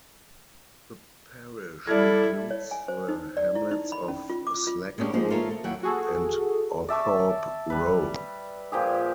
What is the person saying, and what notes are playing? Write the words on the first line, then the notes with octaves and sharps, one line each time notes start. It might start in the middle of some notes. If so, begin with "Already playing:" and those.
The parish includes the hamlets of Slackholme and Authorpe Row.
G3 E4 A4 D5 F6 G#6
C#5
G#5
C5
D#4
D5
E4
D#4
B5
C#4
F4
D6
F4
G#3 A#3 C#4 D4 G4
F3 G#3 A#3 D#4
F4 A4 A#4 C#5 E5 F5
A4
D#2 F#3 E4 F#5 G5
F#4 G#4 A4
D5 E5 A5 C#6
G3 B4
A#2 F3 G4 G#4